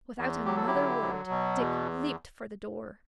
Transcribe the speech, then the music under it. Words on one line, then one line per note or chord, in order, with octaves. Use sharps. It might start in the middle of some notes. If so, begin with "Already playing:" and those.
Without another word Dick leaped for the door.
E2
F#3 G4
A4
E4 G4
D3
F#3
B2
E2